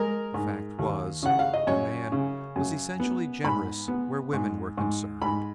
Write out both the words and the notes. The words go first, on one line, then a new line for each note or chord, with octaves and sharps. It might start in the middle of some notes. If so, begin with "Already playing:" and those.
The fact was, the man was essentially generous where women were concerned.
Already playing: G#3 A#4
G#2
D#2
C#3 F#5
F5
D#5
F#2 C#5
C#3
F#2
B3
G#2 B5
B3
G#2
G#2
G#2 B5